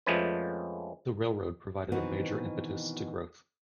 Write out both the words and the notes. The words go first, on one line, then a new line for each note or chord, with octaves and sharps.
The railroad provided a major impetus to growth.
F2 F3 G#3 A3 C#4 B4
B2 D#3 E3 B3 C4 F#4